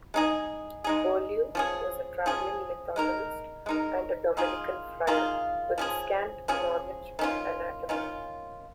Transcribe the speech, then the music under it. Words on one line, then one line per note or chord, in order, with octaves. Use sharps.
Beaulieu was a travelling lithotomist and a Dominican Friar, with scant knowledge of anatomy.
G#3 D#4 G#4
G#3 D#4 G#4
F3 C#4 G#4
F3 C#4 G#4
G#3 D#4 A#4
G#3 D#4 A#4
D#3 A#3 F4 G#4
D#3 A#3 F4 G#4
F3 C#4 G#4
F3 C#4 G#4
D#3 C#4 F4
D#3 C#4 F4